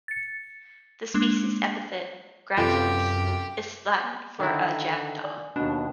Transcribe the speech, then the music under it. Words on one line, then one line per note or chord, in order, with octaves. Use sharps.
The species epithet "graculus" is Latin for a jackdaw.
A6 C#7
G#3 A#3 D4
F#2 C3 F4 G4 A4 B4 B5
D3 D#3 E4 F#5 G5 A#5
D5 G#5
D#2 B2 D4